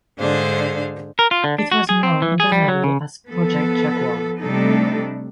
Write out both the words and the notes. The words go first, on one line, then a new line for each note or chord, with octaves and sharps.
It was known internally as project "Jaguar".
G#2 D3 D4 G#4 C5 F5
A#4
F4
D3
D4
F#4
G#4
C4
E3
G#4
G3
F#3
C#3
F3 B3 A4
C3 G3 A3 D4 D#4 A4